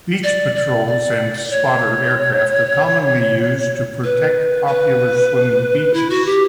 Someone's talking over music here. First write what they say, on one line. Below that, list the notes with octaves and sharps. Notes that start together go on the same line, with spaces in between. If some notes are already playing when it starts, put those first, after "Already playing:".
Beach patrols and spotter aircraft are commonly used to protect popular swimming beaches.
D5
D5
D5
C#5
B4
B4
E4
F#4
G4